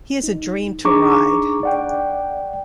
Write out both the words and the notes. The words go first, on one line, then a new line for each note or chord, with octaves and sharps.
He is a dream to ride.
D#4
D4 D#4 G#4 A#5 C#6 D6
D5 F#5 G5